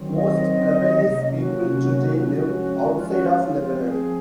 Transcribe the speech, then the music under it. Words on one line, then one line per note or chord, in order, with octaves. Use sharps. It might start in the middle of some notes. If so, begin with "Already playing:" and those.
Most Lebanese people today live outside of Lebanon.
Already playing: D#3 F#3 C4
D#5
C3 F#3 A#3 C#4
F#4
F3 G#3 C#4 F#4
F4
F#4
F4
F3 C4
G#4